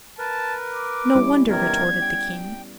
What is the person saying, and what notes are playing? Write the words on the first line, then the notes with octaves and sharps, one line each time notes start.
"No wonder!" retorted the king.
A#4 B4 A5
D6
G3 C#4 E4
C3 D#3 B3 A#4 D5 G#6
G5